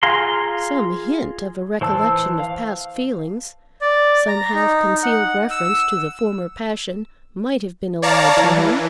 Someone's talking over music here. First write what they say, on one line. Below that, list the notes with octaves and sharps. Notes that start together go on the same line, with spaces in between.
Some hint of a recollection of past feelings, some half-concealed reference to the former passion might have been allowed to him!
F4 G#4 F5 A#5 C6
E3 C5 A5 E6
F5
D5
A#5
D#4
F#5
E6
C#5 D5 F5 A5 A#5
E3